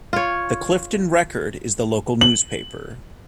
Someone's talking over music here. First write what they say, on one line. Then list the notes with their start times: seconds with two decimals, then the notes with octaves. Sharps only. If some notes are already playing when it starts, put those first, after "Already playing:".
"The Clifton Record" is the local newspaper.
0.13 F4 C#5
2.21 F#7